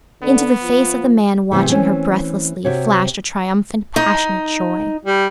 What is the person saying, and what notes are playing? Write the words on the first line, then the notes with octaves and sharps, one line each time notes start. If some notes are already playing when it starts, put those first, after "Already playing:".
Into the face of the man watching her breathlessly flashed a triumphant, passionate joy.
D3 B3
F3
C3 E3 A3
E3 A3 C4 C#4
C3 F#4 C#5
D#4
G3